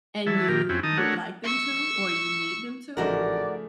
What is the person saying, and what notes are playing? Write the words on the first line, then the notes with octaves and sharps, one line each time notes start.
and you would like them to or you need them to,
E3 F#3 E5 A5
A#2 D#3 G4 A#4
F2 C4 C#4 E4 F#4
D#3 D#4 A5 D#6
A3 D4 F#4 A#4 C#5 F#5
C#6 E6
A1 G#2 C#3 F3 A3 F#4 A#4 D5